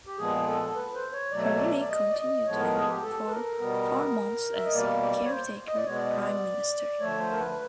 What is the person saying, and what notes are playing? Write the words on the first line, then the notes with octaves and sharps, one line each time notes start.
Hariri continued on for four months as caretaker Prime Minister.
G4
A#2 F3 G#3 B3 G#4
A4
B4
C5
C#5
B2 F#3 A3 D5
C#5
D5
D5
D#5
D5
D#5
A2 F3 G#3 B3 C#5
A#4
G#4
G4
A4
B4
A#4
B2 G3 B3
E5
D#5
B2 G3 A#3 D5
D5
C#5
C5
D#5
D5
B2 G#3 B3 C#5
D5
D3 F3 A3 C#5
C5
A#4
B4